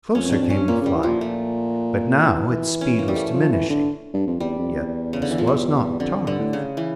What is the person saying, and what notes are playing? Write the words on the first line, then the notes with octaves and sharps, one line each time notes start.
Closer came the flier, but now its speed was diminishing--yet this was not Ptarth.
F2 C#4
F2
D4
F2
G2 C#4
A#2 A#3
C#3 G3
E3
A#2 F3
A3
E3
C#4
A#3
G3
A3
F3
E3
D3
G2
F2
E2 G3
F2
E2
C#3
D3
E3
F3
G3
F2 D3
F2
G2 D3
A2
C#3
E3